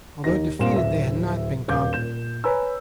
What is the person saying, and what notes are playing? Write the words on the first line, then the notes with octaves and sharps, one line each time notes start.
Although defeated they had not been conquered.
D#2 D#4 A#6
G2 A#2 C4 F5 C6 E7
D1 E5
D#1 F5 D6 G6
A#2 G6 E7
B4 C#5 G#5 A#5 E6